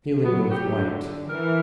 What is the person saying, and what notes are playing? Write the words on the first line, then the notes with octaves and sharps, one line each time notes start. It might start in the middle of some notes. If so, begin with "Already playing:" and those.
Feeling of white.
F#3 B3
G4
D3
E3 A#4